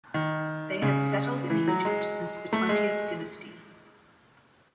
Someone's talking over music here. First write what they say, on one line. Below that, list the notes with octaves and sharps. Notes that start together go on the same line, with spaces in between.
They had settled in Egypt since the Twentieth Dynasty.
D#3
C#3
E3
F#3
G#3
A3
G#3